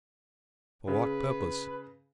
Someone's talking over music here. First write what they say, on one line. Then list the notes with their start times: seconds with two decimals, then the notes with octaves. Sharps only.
"For what purpose?"
0.88 C#3 B4